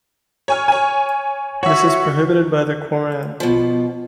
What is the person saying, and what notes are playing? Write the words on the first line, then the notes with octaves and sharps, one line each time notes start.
This is prohibited by the Quran.
C#5 G#5 F6
C#5 G#5
F#4 C#5 E5
B2 F3